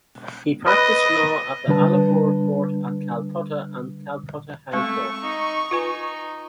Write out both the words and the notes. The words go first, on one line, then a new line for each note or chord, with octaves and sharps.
He practiced law at the Alipore Court at Calcutta and Calcutta High Court.
B4 D#5
D3 G3 D4 B4 A5
G#3 A3 C4 C#6
D#4
D#4 F4 B4 G#5